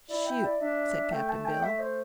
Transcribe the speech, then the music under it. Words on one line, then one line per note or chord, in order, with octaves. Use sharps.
"Shoot," said Cap'n Bill.
E4 D5
G5
D5
D4 E5
A3 G5
A5
G5
A3 E5
C5